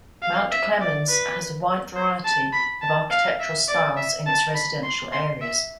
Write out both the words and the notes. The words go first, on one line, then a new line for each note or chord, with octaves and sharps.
Mount Clemens has a wide variety of architectural styles in its residential areas.
F5
E5
D5
B4
C5
A5
B5
A5
F5
E5
D5
E5
A5
B5
C6
C6
E5